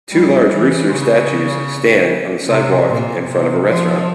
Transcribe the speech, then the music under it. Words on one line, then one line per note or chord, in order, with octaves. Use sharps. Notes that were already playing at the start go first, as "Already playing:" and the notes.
Two large rooster statues stand on the sidewalk in front of a restaurant.
G3
E3
C#3
C3
A#2
C3
F3